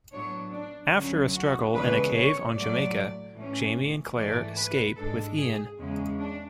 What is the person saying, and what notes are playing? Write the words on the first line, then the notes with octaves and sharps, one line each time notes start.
After a struggle in a cave on Jamaica, Jamie and Claire escape with Ian.
A2 F#3 B3 D4 C#5
D4
D2 D3 F#3 C#4
F#4
C#3 E3 G#3 B3 D4 B4
C#5
A2 F#3 A3 D5
A2 E3 A3 C#4
G#2 E3 A3 D5
B4
G#2 G#3 D4 A4
G#4
E2 C#3 G#3 C#4
D4